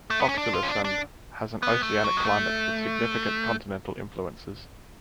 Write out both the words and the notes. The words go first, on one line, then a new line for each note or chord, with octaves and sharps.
Oxelösund has an oceanic climate with significant continental influences.
A3
B3
C#4
D4
F4
C#4
D4
D4
B3
A3
F#3
G#3
A3